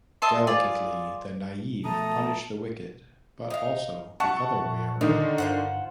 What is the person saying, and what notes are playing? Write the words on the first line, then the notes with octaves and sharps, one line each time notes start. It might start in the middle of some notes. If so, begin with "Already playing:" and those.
Delicately, the naive punish the wicked, but also the other way around.
D#5 E5 A5 C6
F4 G#4 D5
B2 F3 F#3 A3 A5 A#5 D#6
D#4 F5
C3 F#5 A5 C#6
A#2
D3 D#3 D#4
G2 F4 C5 F#5